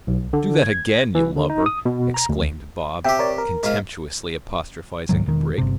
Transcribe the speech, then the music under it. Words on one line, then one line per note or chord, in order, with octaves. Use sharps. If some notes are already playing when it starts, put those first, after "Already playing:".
"Do that again, you lubber!" exclaimed Bob, contemptuously apostrophising the brig.
B1
D3
G#6
E3
D3
D#4
D#6
B2
A#5
D2
C3 G4 E5 G5
A#4 C#5 D5
A#4
G#2 F4
C#2 G#2 D#3 F#3
E1 D#3
G1 C3